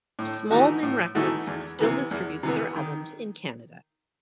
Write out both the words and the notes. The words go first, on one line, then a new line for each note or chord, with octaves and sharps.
Smallman Records still distributes their albums in Canada.
A2
E3 A3 D#4 F#4
A2
E3 A3 D#4 F#4
E2
C3 E3 B3
E2
C3 E3 B3
D#3